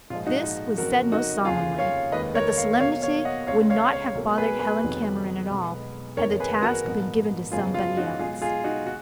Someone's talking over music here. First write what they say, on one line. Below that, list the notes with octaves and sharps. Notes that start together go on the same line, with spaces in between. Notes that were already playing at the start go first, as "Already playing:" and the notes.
This was said most solemnly; but the solemnity would not have bothered Helen Cameron at all, had the task been given to somebody else!
A#1 G#2 F3 G#3 F4
D#4 F#4
D#4
F1 F2 C#3 F#3 F#4 A#4
D#4 F#4
F1 D#2 C#3 F4 G#4
C#5 F5
F1 D#2 D#3 G#3 B4 D#5
A#4 C#5
C#5 F5
B1 B2 F#3 A#3 C#5 F5
C#5 F5
D#5 F#5
C#2 C#3 G#3 C#5 F5
C#5 F5
C#5 F5
B1 B2 A#3
G#4 B4
G#4 B4
F1 F2 D#3 F#3 B3
B1 B2 G#3 B3
F#1 F2 D#3 A#3 A#4 C#5
G#4 B4
F#4 A#4
A#1 G#2 F3 B3
F#2 C#3 F3 G#3 B3 F4 G#4
F4
D#4 F#4
B1 B2 G#3 F4 G#4
F4 G#4
D#4 F#4
F#4